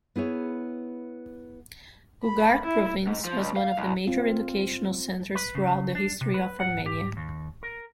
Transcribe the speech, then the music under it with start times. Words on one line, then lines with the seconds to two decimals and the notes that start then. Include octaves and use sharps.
Gugark province was one of the major educational centres throughout the history of Armenia.
0.16 B3 E4 G#4 C#5
2.24 B5
2.64 E4
3.07 G#2
3.25 F3
3.38 C#2
3.56 F5
3.77 C2
4.07 C4 F4
5.35 B4
5.55 C#3
5.95 D4
6.21 C3
6.34 B4
6.60 F#5
6.86 G4
7.17 D#2
7.63 A#4